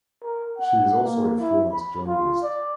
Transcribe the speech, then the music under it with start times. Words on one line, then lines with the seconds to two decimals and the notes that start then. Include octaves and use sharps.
She is also a freelance journalist.
0.24 A#4
0.59 F#5
1.03 A#3
1.40 E4
1.72 B5
2.07 F4
2.43 D5